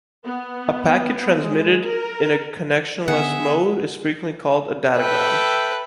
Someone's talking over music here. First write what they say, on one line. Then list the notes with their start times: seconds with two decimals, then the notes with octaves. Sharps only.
A packet transmitted in a connectionless mode is frequently called a datagram.
0.25 B3
1.40 G#3
1.85 A#4
3.08 D3 B3 C#4 G#4 E5 F#5
4.97 A4 B4 E5 G5